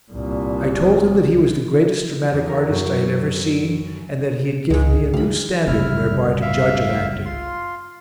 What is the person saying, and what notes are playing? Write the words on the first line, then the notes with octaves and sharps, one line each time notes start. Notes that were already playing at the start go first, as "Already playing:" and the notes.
I told him that he was the greatest dramatic artist I had ever seen and that he had given me a new standard whereby to judge of acting.
C2 A#2
E2
A#4
F#2
C#2 G#2 G#3
D2 F5 B5
F#1 C2 E4 F6
E5 F5
F4 C6